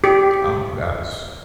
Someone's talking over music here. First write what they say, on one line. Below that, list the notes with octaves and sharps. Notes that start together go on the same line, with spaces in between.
Oh my gosh.
G4